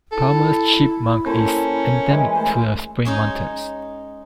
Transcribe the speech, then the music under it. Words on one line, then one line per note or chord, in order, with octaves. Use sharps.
Palmer's chipmunk is endemic to the Spring Mountains.
E4 A4
A#3 C#4 A4 C5
E3 G#3 B4
A3 C5
G#3 C#4 D#4